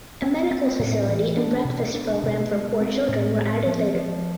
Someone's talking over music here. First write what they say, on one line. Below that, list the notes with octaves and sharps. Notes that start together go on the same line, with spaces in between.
A medical facility and breakfast program for poor children were added later.
C4
C4
A2
E3
D4
B2
D4
B2
G#3
C4
A2
C4
F3
F3